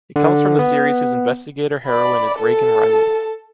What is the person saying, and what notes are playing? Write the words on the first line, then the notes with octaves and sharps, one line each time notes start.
It comes from the series whose investigator heroine is Regan Reilly.
D3
B3
D5 B5
A4 A5